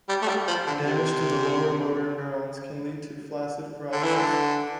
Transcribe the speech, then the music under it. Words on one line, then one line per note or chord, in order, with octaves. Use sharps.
Damage to the lower motor neurons can lead to flaccid paralysis.
G3
A3
G3
F3
D3
C3
D3
E3
D3